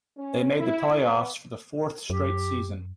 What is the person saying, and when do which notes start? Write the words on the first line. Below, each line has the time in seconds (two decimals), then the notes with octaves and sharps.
They made the playoffs for the fourth straight season.
0.17 C#4
0.58 E4
1.02 B3
2.10 F#2 G4